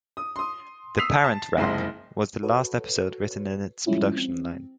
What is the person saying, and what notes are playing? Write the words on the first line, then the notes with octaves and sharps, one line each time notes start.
"The Parent Rap" was the last episode written in its production line.
D#6
C6 D#6
D#6 E6 B6 C7 F7
A5
F#1 C2 F2 G#3 C6 C7
F#4 A4 B4 C#5
F3 G3 G#3 C#4 E4 F4
C4